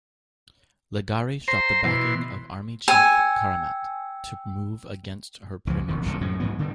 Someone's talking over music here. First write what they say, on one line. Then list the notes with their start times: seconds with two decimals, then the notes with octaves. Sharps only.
Leghari sought the backing of the Army Chief, Karamat, to move against her premiership.
1.48 C5 A#5 C6
1.85 B2 E3 C6
2.88 G5 G#5 E6
5.67 C#2 E3 F3
5.88 E1 D#3
6.06 F#1 C2 G2 D3
6.21 F#2 A2 C3
6.40 G#2 E3 B3
6.59 D3 D#3 G3